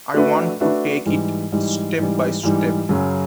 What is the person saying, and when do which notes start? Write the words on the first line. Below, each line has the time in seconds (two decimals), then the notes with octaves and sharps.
I want to take it step by step.
0.14 A3 D4 F#4 B4 E5
0.60 A3 D4 F#4 B4 E5
1.06 G#2 E3 G3
1.52 G#2 E3 G3
1.98 G#2 E3 G3
2.43 G#2 E3 G3
2.89 F#2 C#3 F#3